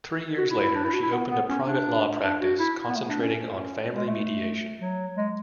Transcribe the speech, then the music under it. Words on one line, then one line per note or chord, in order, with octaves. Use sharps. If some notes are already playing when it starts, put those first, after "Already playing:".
Three years later, she opened a private law practice, concentrating on family mediation.
F#4
E4
E4
D4
E4
F#4
E4
B3
B3
C#4
D4
D4
F#4
E4
B3
A3
D4
C#4
G#3
A3
F#3
G#3